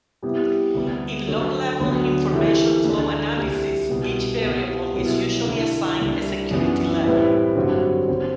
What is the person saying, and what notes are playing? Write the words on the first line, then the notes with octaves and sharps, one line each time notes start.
In low level information flow analysis, each variable is usually assigned a security level.
C3 G3 B3 E4 G4
D2 C3 G3 B3
D3 F#3 A3
D2 D3 F#3 B3
C3 E3 A3 E4
D2 D3 A3 D4
C2 C3 G3
C2 B2 G3 B3
C2 C3 G3 B3
C2 B2 F#3 B3 E4
D3 A3 E4 A4
C2 C3 G3 D4
F#2 E3 B3 D4
A2 G3 C4 E4 B4
G2 D3 F#3 C4 F#4
D3 G3 C4